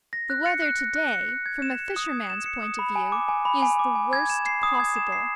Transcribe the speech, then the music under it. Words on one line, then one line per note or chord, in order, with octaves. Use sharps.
The weather to-day, from a fisherman's point of view, is the worst possible.
A#6
F#6
C#7
F#6
A#6
F#6
C#7
F#6
G#6
E7
C#7
D#6
G#6
E7
C#7
D#6
B5
G#5
D6
G#5
B5
G#5
D6
G#5
G#6
E7
C7
D#6
G#6
E7
C7